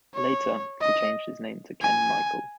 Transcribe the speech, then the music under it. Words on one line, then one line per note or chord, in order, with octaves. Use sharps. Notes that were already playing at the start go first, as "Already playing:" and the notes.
Later, he changed his name to Kenn Michael.
C#5
D#5
G#5